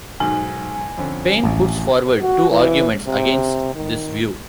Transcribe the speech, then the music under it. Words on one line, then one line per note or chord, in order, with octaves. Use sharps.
Paine puts forward two arguments against this view.
B1 G#2 G#5
F2 D3 C#4
A1
F#4
E3
C3
D#3